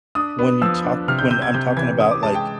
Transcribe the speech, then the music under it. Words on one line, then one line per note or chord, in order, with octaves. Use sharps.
when you talk when I'm talking about, like,
D4 D#6
B3
F3 E6
D4
C3 F6
G6
C3 G6
G#6
C3 G6
E3 G#6
C#4 D#6
D6
G#3 A5
G5